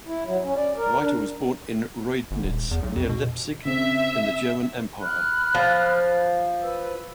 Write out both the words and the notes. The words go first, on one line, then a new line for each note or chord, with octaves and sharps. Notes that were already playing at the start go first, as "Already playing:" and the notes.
Reiter was born in Reudnitz, near Leipzig in the German Empire.
E4
F#3
C#4
D5
A#4
D4
G1
D#1
E2
B1
F2
B2
C#3 C4 E5
B5 F6 F#6
F3
B4 E6